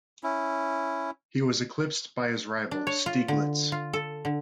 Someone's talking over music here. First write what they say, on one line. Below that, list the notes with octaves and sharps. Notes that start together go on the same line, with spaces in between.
He was eclipsed by his rival, Stieglitz.
C#4 E4
D4
C#5
F4
D3
F4
A4
D3